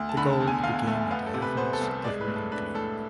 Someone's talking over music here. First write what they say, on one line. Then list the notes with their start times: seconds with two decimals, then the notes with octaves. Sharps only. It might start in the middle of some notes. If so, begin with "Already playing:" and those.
The gold became a diaphanous, glittering globe.
Already playing: D2
0.09 A5
0.17 D3 B5
0.33 A5
0.41 E2
0.48 G#5
0.64 E2 F5
0.87 A3
1.11 B3 F5
1.26 A4
1.34 C3
1.42 B4
1.57 B3 C5
1.73 A4
1.81 C2
1.89 A4
2.04 G#3 D5
2.21 B4
2.28 A2
2.36 A4
2.52 D4 B4
2.75 A2 A4